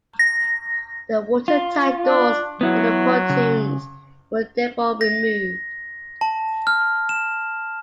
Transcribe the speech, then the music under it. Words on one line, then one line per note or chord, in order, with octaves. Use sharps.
The watertight doors for the pontoons were therefore removed.
A#6
F4
D4
F#3 B3 E4 F#4
C#3
A#6
A5
F6
E7